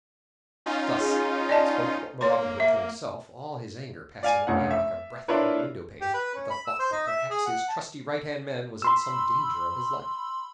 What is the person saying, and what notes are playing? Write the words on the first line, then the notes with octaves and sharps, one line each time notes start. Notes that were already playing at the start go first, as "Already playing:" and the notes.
Thus spoke Robin Hood to himself, all his anger passing away like a breath from the windowpane, at the thought that perhaps his trusty right-hand man was in some danger of his life.
C#4 D#4 F4
G#4
D5 D#5 A5
A#3 C#5 C6
E5
D5 F5 G#5
F1 A#1 C#4 F#5
E5
D4 E4 F4 A#4 B4 C#5
G4
B4
C#4
B5
E6
C5
D#4
E5
G#4
F#5
A5
B5 C6 E6